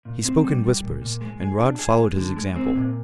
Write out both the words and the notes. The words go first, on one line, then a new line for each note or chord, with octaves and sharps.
He spoke in whispers, and Rod followed his example.
A#2
C4
G3
G3
A#2
A#2
G#3
G#4
D4
G#4
G#3
D3
G#3
C4
A#2